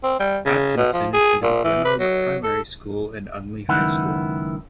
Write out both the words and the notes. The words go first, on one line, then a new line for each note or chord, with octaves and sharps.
Atkinson attended Glenelg Primary School and Unley High School.
C4
G3
C#3
B2
F3
G#4
A#2
E3
B4
F#3
A4
C#2 F#2 D#3 B3 E4 F#5